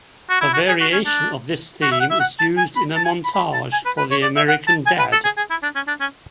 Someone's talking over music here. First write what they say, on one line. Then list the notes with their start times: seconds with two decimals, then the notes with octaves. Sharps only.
A variation of this theme is used in a montage for the American Dad!
0.29 F#4
0.41 E4
0.54 F#4
0.68 G#4
0.81 F#4
0.93 C#4
1.05 D4
1.82 F#4
1.92 E5
2.00 F#5
2.11 E5
2.20 F#5
2.39 A5
2.57 G#5
2.76 B5
2.96 A5
3.05 G#5
3.24 B5
3.35 B5
3.53 A5
3.72 G#5
3.86 B4
3.98 B4
4.11 C#5
4.23 D5
4.36 E5
4.48 F#5
4.67 A5
4.86 G#5
4.99 B4
5.12 A4
5.24 G#4
5.37 G#4
5.50 E4
5.63 D4
5.75 C#4
5.88 D4
6.00 C#4